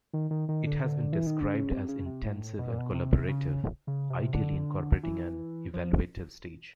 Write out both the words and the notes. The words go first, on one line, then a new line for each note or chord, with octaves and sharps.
It has been described as intensive and collaborative, ideally incorporating an evaluative stage.
D#3
D#3
D#3
D3
D3
E3
D#3
D3
C#3
C3
C#3
C3
A2
B2
A#2
B2
C3
C#3
C#3
C3
D3
E3
F3